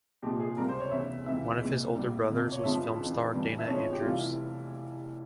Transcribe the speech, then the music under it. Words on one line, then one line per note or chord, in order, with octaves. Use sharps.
One of his older brothers was film star Dana Andrews.
C2 A#2 F3 G#3 G4
G#4
C#2 C3 G3 A#4
C5
C#5
F1 E2 C#3 E5
C#2 C3 E3 E5
C2 A#2 G#3
A#1 A#2 G3
G1 F2 C3
C#5
G1 G2 F3 G#3 E5
F2 C#3 E3
G1 G2 E3 G3
E5
E2 C#3 F3 G#3 C#5
G4
F1 F2 E3 G3 F4
E4